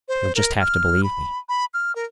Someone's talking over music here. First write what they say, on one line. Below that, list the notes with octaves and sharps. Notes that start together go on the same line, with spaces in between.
You'll just have to believe me.
C5
A#4
F6
B5
B5
F6
A#4